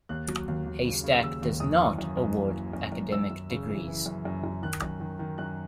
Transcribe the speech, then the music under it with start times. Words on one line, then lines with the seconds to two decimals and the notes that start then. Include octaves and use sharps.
Haystack does not award academic degrees.
0.09 D#2 F#6
0.28 F#3
0.48 D#2
0.66 D#2
0.85 C#3
1.04 C#3
1.23 D#2 E6
1.42 D#2
1.60 F#2 D#6
1.80 E3
1.99 F#2
2.17 F#2
2.36 E3
2.55 E3
2.73 F#2
2.92 F#2
3.12 F#2 E6
3.31 F#2
3.50 C#3
3.69 E3
3.88 E3
4.06 F#2
4.25 F#2
4.44 F#2
4.63 D#3 F#6
4.82 F#2
5.00 D#3
5.19 D#3
5.38 F#2 F#6